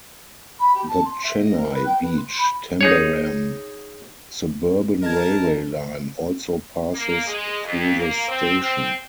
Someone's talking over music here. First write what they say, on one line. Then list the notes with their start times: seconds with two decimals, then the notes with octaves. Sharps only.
The Chennai Beach-Tambaram suburban railway line also passes through the station.
0.59 B5
0.74 G4
0.87 A5
1.04 C6
1.23 E5
1.38 D#5
1.56 A#4
1.72 B4
1.85 G5
2.01 B4
2.16 C6
2.37 B5
2.81 D#4 G#4 C#5
5.03 A#4 D#5 A5 G#6
6.94 A#3
7.27 G#3
7.63 F2
7.98 A#3
8.28 C4
8.59 C4